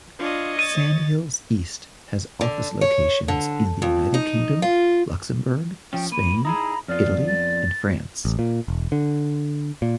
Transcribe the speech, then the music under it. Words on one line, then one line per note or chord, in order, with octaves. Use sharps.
Sandhills East has office locations in the United Kingdom, Luxembourg, Spain, Italy, and France.
D4 F4 C#5 D#5
A6 D#7
D3
C#5
D3
F2
D#4
F4
F3 C#4 G5
A#3 B5 D#7
D#4 E4 G#4 A#5 B5
F2 B3 F4 D5 F6
A6
A1
A#2
E1
D3
A#2